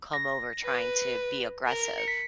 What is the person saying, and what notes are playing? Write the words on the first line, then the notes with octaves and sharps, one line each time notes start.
come over trying to be aggressive.
A#6
B4
A#4
C#7
B6